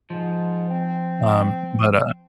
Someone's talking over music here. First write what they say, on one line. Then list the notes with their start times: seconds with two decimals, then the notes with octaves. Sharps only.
Um, but, uh
0.10 G#2 F3
0.70 C4